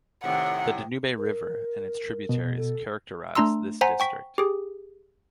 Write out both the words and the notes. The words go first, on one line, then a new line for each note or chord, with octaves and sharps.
The Danube river and its tributaries characterise this district.
A2 C3 D#3 F#5
A#4
B2
A4
A3 D4 A#5 C6 E6
C5 F#5 G#5 A#5 B6
G5 C#6 B6
G4 G#4